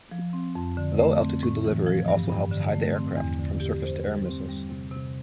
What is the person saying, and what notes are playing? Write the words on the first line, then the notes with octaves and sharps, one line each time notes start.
Low-altitude delivery also helps hide the aircraft from surface-to-air missiles.
F3
C4
F2
D3
A3
C4
A2
E3
F3
G2
G2
D3
A3
C4
E2
D3
G4
C5
G3
C4
G3
C3
C3